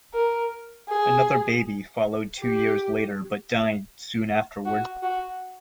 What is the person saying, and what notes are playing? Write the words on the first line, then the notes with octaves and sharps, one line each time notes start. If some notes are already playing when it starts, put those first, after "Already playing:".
Another baby followed two years later but died soon afterward.
A#4
G#4
G4
F#4
F#4